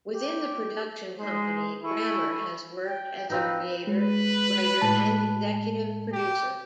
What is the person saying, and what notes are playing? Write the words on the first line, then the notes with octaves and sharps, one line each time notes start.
Within the production company, Grammer has worked as a creator, writer, and executive producer.
G4
G#3 D#4 C5
E4 A4 G#5 C#6
G5
F3 C4 D#4 B4
G#3 B4
A2 G#3 A5
G4